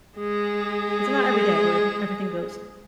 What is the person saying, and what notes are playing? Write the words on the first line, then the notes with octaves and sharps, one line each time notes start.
It's not every day where everything goes
G#3 G#4